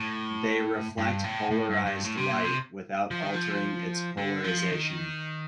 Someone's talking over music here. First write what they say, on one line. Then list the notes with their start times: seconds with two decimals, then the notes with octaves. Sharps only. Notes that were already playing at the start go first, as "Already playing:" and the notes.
They reflect polarized light without altering its polarization.
Already playing: A2
0.98 G2
1.24 A2
1.51 A2
1.68 G2
1.86 G2
2.04 A2
2.18 C3
2.31 A#2
2.44 C3
3.11 F3
3.22 D#3
3.34 F3
4.18 D3
4.44 F3
4.71 D#3